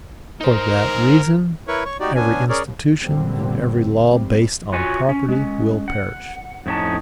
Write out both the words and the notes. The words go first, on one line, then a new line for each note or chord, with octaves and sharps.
For that reason, every institution and every law based on property will perish.
D#4 A#4 C5
E4 A#4 B4 C#5 B5 C#6
C#5 C#6
D#4 F#4 G4 D5
B3 C#4 D4 G#5
C#4 G#4 A#4 C#5 D5
D#2
F#2 A#2 D3 G3 C4
C3 G3 C4
F4 F#4 C#5 G#5
C#4
G#3 C#4
F#5
F2 A2 C#4 D#4 A5